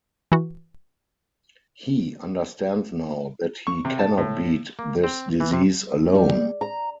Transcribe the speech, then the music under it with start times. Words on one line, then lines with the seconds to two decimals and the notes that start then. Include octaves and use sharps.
He understands now that he cannot beat this disease alone.
0.32 E3 F#4
3.67 C#6
3.85 C3
3.99 A5
4.18 A2
4.79 A#3
5.04 C4
5.40 E3
5.53 C3
6.15 G3
6.61 A#5